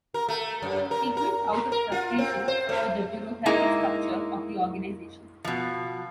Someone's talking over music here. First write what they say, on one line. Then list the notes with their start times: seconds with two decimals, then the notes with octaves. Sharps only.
He quit out of frustration with the bureaucratic structure of the organization.
0.14 A#4
0.29 A3
0.62 F#2
0.91 A#4
1.17 A#4
1.72 A#4
1.92 F4
2.18 C4
2.48 C5
2.69 A3
3.46 G#3 A#3 D#4 E4
5.44 B2 F3